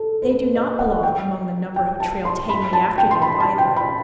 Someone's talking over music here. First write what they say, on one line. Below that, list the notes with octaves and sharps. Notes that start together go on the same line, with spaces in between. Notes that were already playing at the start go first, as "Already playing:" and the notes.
They do not belong among the number who trail tamely after you, either.
Already playing: A4
C5
B4
D#5
F#5
G5
G5
A5
C6
B5
A5
G5
C6
B5
A5
G5
B5